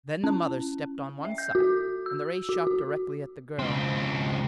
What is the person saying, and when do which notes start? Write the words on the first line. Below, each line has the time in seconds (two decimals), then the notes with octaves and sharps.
Then the mother stepped on one side, and the ray shot directly at the girl.
0.24 C#4
1.25 E5
1.38 G6
1.55 F#4
2.06 E6
2.49 F#4
2.67 F#4
3.59 C#2 C4